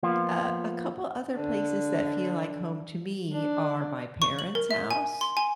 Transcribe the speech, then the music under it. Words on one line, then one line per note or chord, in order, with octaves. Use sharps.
a a couple other places that feel like home to me are my parents' house,
F3 A#3 B3 F4
D3
D4
C#6
F#7
A#4
E5
G#5
C6
G#5